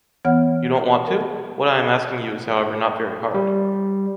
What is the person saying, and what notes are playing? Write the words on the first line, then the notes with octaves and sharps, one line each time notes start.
You don’t want to? What I am asking you is however not very hard.
E3 B3 C#5 F#5 F6
A#4
G3